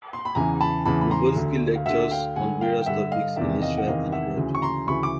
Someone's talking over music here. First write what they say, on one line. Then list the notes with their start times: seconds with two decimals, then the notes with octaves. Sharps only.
Lubotzky lectures on various topics in Israel and abroad.
0.13 C6
0.25 B5
0.35 E2 C#3 E3 G#5 A#5
0.61 A5 B5
0.85 E2 C#3 E3 A5 B5
1.01 B5
1.11 A#5 C6
1.36 D2 D3
1.75 F5
1.86 D2 D3 E5 F#5
2.11 F5 G5
2.36 G2 D3 F#5 G#5
2.61 F5 G5
2.81 G5
2.86 G2 D3 E5 F#5
3.11 D#5 F5
3.36 E2 C3 D#3 D5 E5
3.62 D#5 F5
3.78 F#5
3.87 E2 C3 D#3 D#5 F5
4.12 E5 F#5
4.37 D2 C#3 E3
4.55 C#6
4.62 A#5 C6
4.87 D2 C#3 E3 B5 C#6
5.03 D6